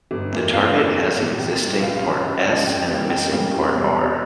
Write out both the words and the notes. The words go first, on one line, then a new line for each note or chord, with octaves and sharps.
The target has an existing part "S" and a missing part "R".
G1
F2 E3 A#3
G1 F5
F2 E3 A#3
C2
A#2 G3 A#3
C2 G5
A#2 G3 A#3
C#2 F5
C#3 F3
C#2
C#3 F3
F2 G5
C#3 G3 A#3
F2 G5
C#3 G3 A#3
E1
E2 C3 G3
E1